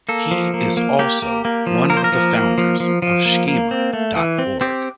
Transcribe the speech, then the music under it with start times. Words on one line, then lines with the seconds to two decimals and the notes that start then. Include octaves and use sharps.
He is also one of the founders of Schema dot org.
0.09 A#3 A4
0.31 F3
0.54 A#3
0.77 A#3
0.99 A#3 G4
1.22 A#3
1.45 A#3
1.67 F3
1.90 A#3 A#4
1.97 C5
2.04 A#4
2.12 F3
2.35 A#3
2.58 F3
2.80 F3
3.02 F3
3.25 A#3
3.48 A#3
3.71 C4
3.93 A3
4.16 E3
4.38 C4
4.61 C4 G4